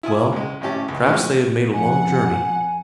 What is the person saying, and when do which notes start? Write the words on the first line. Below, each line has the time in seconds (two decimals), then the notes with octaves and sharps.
Well, perhaps they have made a long journey.
0.03 E4 F4 G#5 D#6
0.32 C#2 G#3
0.61 G#1 A2 C#4 G4 A5
0.88 C#2
1.06 D2 A2 F3 G#3
1.73 F2 F#5 G#5